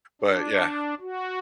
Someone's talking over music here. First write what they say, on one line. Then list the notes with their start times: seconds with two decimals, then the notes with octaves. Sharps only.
but, yeah.
0.22 D4
1.00 F#4